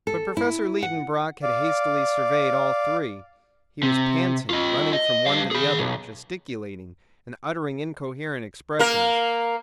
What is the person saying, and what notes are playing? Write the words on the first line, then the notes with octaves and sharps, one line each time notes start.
But Professor Liedenbrock had hastily surveyed all three; he was panting, running from one to the other, gesticulating, and uttering incoherent expressions.
A4
E4
F#5
D5 F5
C3
F4 D#5
D#5
G3 F5
G#4 B5
B1
A#3 A#4